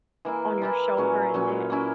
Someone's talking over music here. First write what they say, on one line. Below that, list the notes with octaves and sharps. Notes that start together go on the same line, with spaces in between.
on your shoulder and neck,
E3 A#3 E4
E3 A#3 E4
A#2 F#3 C#4
A#2 F#3 C#4
A#3 C#4 E4